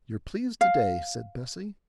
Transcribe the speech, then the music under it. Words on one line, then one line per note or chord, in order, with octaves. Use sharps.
'You're pleased to-day,' said Bessie.
F5